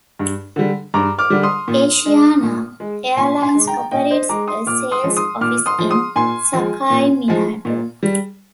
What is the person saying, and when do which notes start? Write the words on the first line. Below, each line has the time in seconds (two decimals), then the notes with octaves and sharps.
Asiana Airlines operates a sales office in Sakaiminato.
0.19 G2
0.56 D3 G3
0.94 G2 A#5 D6
1.19 D6 F6
1.30 D3 G3
1.43 C6 D#6
1.68 A#2
2.05 G#3
2.43 A#2
2.80 G#3
3.17 A#2 G#5 C6
3.42 G#5 C6
3.55 G#3
3.67 G5 A#5
3.92 A#2 D#5 G5
4.11 C5 D#5
4.29 G#3 A#5 D6
4.48 C6 D#6
4.66 A#2 D6 F6
4.91 C6 D#6
5.04 F3 G#3
5.16 C6 D#6
5.41 A#2 D6 F6
5.66 C6 D#6
5.78 F3 G#3
5.91 C6 D#6
6.16 A#2 G#5 C6
6.53 F3 G#3
6.90 A#2
7.28 F3 G#3
7.65 A#2
8.03 G3